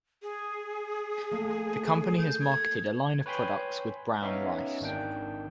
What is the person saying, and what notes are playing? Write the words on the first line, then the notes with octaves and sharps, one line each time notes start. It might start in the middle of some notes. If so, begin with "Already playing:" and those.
The company has marketed a line of products with brown rice.
G#4
A3 A#3
G6
G#6
B4 C#5 G5 G#5 B5 C6
B3 C#4 D#4 E5 F5
G#1 D#3 D4 G5